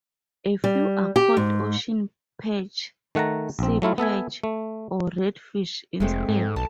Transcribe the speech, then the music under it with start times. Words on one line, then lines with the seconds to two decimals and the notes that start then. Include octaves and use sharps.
A few are called ocean perch, sea perch or redfish instead.
0.64 G3
1.16 G4
1.37 G#2
3.15 D#3 A3 F#5 A5 A#5
3.59 A#1 C4
3.82 F#3 A3 E4 F4
3.98 B3 A4 E5 G#5
4.44 A3
6.00 F1 G#3 A3 C4
6.29 G#2
6.56 B1 A5